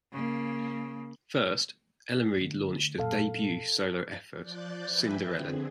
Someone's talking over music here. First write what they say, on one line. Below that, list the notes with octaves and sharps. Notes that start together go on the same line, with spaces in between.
First, Ellen Reid launched her debut solo effort, "Cinderellen".
C#3 A#3
D3 A3
F#2 A#2 A4 F5
F3 D5 F#6 G6 A6
B4 E5 G5 G#5
D3 C4 G#4